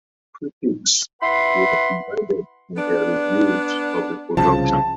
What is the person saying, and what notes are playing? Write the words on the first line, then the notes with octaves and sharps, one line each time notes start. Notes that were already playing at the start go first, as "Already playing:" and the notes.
Critics were divided in their reviews of the production.
E4 B4 F#5 B5 C6
B3 D4
C2 C#3 F3 A5